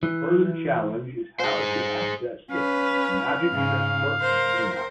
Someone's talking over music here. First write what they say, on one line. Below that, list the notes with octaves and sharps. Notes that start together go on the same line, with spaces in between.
A further challenge is how to assess if the magic trick worked or not.
E3
G#4 C5
C#4 B4 F5
G#2 C#3
A#4 C5